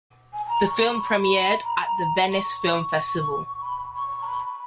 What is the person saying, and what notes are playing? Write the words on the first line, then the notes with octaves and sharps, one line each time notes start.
The film premiered at the Venice Film Festival.
G#5
G#5
A#5
C#6
C#6
B5
A#5
B5
A#5
B5
C#6
B5
C#6
A#5
B5